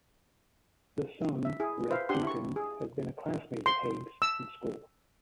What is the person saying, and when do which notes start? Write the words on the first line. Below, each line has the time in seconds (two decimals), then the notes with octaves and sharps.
The son, Red Dugan, had been a classmate of Hague's in school.
1.45 E5
1.60 E4 G#4
1.90 B4 C5 E5 F5
2.09 D4 G4 F#5 C6
2.23 E4 C#6
2.56 G#4
3.66 C6
4.22 E6